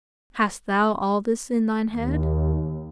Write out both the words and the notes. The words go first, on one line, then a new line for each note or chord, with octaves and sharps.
Hast thou all this in thine head?
D#2